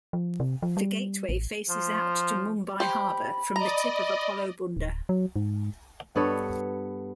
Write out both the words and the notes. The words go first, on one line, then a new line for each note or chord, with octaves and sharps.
The gateway faces out to Mumbai Harbour from the tip of Apollo Bunder.
F3
C3
F3
G3
A1
F3
G4 C5 B5
D5 D#5 A#5
D1
F#3
G#2
G2 B3 A4 C#5